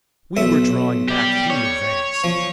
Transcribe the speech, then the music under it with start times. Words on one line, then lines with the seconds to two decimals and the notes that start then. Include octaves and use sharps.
We were drawing back, he advanced!
0.37 B1 E5
1.09 G4 D5
1.50 C#5
2.24 F3